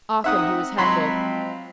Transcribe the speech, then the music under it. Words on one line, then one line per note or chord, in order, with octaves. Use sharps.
Often he was heckled.
C4 D#4 E5 F#5 D#6
F3 F#3 G#3 C4 B5 C6